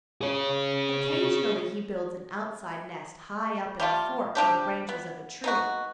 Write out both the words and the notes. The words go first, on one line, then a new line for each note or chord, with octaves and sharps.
Occasionally he builds an outside nest high up in a fork in the branches of a tree.
G#4 C#5
G3 A3 F4
C3 G3 D4 G4
B3
B3 D#4 F#4